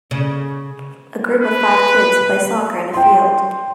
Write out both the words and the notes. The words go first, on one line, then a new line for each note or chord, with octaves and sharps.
A group of five kids play soccer in a field.
C#3
B4
G5 C6